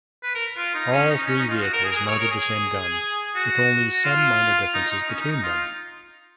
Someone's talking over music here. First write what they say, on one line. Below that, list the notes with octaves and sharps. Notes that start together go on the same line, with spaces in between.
All three vehicles mounted the same gun, with only some minor differences between them.
B4
A#4
F4
D#4
C#4
D#4
C#4
D#4
F4
F#4
A#4
G#4
A#4
G#4
C#5
A#4
G#4
F#4
F4
D#4
D#4
C#4
D#4
D#4
F4